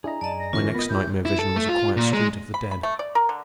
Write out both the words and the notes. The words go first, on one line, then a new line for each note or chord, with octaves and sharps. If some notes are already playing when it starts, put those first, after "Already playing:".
My next nightmare vision was a quiet street of the dead.
D4 E4 G#4 D#5 A#5
F#2 D5 D#5 A5
A#6
D3 E3 C#4 F4 A#4
B3 D#5 B5
C#4 E4 G4 G6
E4
A4
A3
F4
A#2
G#3
B5
B5
A3
D5
A#4
D3